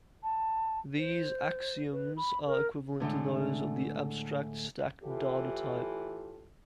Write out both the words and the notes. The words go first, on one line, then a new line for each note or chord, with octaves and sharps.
These axioms are equivalent to those of the abstract stack data type.
A5
C5
B4
B5
A#4
A2 D3 G#3 A3
A2 E3 F4 G4 A4